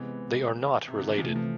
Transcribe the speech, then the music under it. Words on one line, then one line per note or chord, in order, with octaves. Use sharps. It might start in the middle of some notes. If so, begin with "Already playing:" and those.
They are not related.
Already playing: C3 E3 G#3 B3
C3
D3
E3
C3 E3 F3 A3
F3